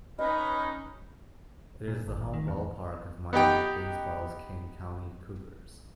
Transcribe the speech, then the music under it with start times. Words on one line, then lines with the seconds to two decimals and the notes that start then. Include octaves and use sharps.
It is the home ballpark of Minor League Baseball's Kane County Cougars.
0.19 C#4 D#4 B4 D#5 B5 F6
1.88 A#2
2.07 G#1
2.21 G#1
2.34 D#3
2.48 E2
3.33 B3 D#4 G4 G5